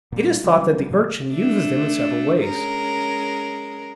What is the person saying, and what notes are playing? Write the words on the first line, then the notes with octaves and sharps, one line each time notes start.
It is thought that the Urchin uses them in several ways.
A#2 G3
C#3 F#3 G3
A2 C#3 F3 A#3
A3 D4
G#3 C#4 A#4